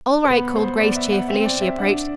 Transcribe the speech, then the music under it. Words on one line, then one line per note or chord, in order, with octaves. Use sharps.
"All right," called Grace cheerfully as she approached.
C5
B3 B4
C5
B3 D5
E5
F#5
C4 E5
D5
E5
D4 F#5